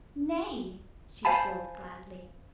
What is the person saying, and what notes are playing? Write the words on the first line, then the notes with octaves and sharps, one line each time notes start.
"Nay!" she trilled gladly.
C5 F5 G#5 A5 B5